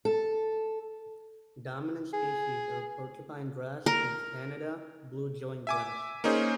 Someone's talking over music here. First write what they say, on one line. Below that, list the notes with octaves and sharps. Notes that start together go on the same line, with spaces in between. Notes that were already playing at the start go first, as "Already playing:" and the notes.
Dominant species are porcupine grass and Canada blue-joint grass.
A4
G#4
A#4
E5 G#5 D6
A#3 C#4 D#4 G#4 C5